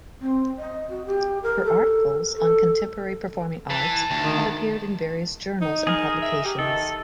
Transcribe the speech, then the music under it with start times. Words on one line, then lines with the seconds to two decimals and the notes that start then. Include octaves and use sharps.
Her articles on contemporary performing arts have appeared in various journals and publications.
0.21 C4
0.58 D#5
0.89 F#4
1.06 G4
1.42 A#4
1.64 A4
2.36 A4
3.70 E3 A5
4.11 D2
4.23 D#3
5.61 D#4
5.87 G#4 A#4
6.22 E5
6.45 G4
6.59 D#3 A4